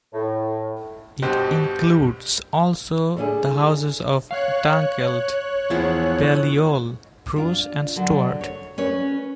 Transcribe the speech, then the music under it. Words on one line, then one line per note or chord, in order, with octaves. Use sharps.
It includes also the Houses of Dunkeld, Balliol, Bruce, and Stewart.
A2
G2 B2 G4 C5 D#5 F#6
D3 G3 D4 E4 G#4 A4
C#5 F5 F#6
E2 F3 B3 E4 G#4
D4 F4
D3 F#3
C#5
C#4 B4 C#5